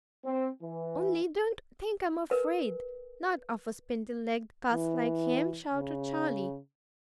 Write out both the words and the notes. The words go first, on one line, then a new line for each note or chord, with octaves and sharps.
"Only don't think I'm afraid,--not of a spindle-legged cuss like him," shouted Charlie.
C4
E3
A#4 B4 G#5
E3
C#3